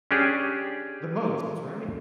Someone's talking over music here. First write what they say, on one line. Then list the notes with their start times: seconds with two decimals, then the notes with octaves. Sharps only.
The most, right?
0.11 C#4 D4 G4 G#4